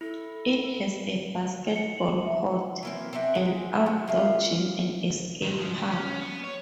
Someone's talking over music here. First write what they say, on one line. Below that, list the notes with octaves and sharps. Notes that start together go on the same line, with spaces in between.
It has a basketball court, an outdoor gym and a skate park.
E4 A4
C#7
F#7
E5
E3 A#3 C4
C4 D4 F#4 E5
G#3
F#4
F4 E5 F5
G#2 D#3
F3 F#3
C#3 G4
C#4
B3
C#5